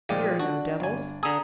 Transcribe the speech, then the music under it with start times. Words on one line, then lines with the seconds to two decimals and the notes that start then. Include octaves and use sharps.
Here are no devils.
0.09 A#2 D#3 F3 G#3 F4 G4
0.39 D4 F#4
0.80 G1 G#5
1.23 D3 G#4 A#5 D#6